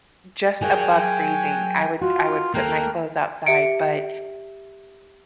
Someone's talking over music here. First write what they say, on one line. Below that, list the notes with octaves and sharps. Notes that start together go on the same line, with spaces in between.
just above freezing, I would I would put my clothes outside, but
F#3 F#4 G#4 A#4 F5 G5 G#5
F4 F#4
D#2 A#3 A4 A#4 E5 G5 F6 F#6
G4 E5 C#7 D7